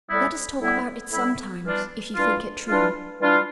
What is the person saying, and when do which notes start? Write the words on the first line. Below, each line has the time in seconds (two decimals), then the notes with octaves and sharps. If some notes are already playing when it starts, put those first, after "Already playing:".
'Let us talk about it sometimes, if you think it true.
0.09 A2 G3 B3 E4
0.60 A2 G3 B3 E4
1.12 A2 G3 B3 E4
1.64 E3 G3 D4 F4
2.16 E3 G3 D4 F4
2.69 E3 G3 D4 F4
3.21 E3 G3 D4 F4